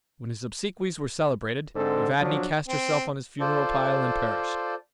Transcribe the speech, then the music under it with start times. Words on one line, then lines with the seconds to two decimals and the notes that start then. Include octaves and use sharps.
When his obsequies were celebrated, Evadne cast herself on his funeral pile and perished.
1.75 G#2 D3 C4 A4
2.20 F3 F#3 D4
2.68 C4
3.40 F4 A4 C5 D5